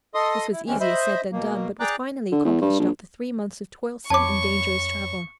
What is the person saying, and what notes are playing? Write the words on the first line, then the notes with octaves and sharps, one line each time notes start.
This was easier said than done, but was finally accomplished after three months of toilsome and dangerous travel.
A4 D#5 C6 D#6
E4
D#2 E3 G#3 C4 C#4
C5 D#5 E5 B5
B2 A#3
G#4 D5 G5 A#5 D6 F#6
D3
E2
G2
A#1
F2 C#5 A5 B5 C#6 D6